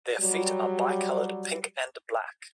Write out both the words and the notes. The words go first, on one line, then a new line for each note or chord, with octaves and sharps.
Their feet are bicolored pink and black.
F#3 G3